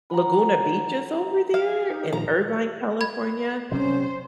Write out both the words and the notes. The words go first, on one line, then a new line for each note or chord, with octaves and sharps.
Laguna Beach is over there in Irvine, California.
B4 F#5 A#5
F5
D#4 G4
A#2 D#3 F3 A#5
B5 G#6
C3 F#3 G3 C#4 C5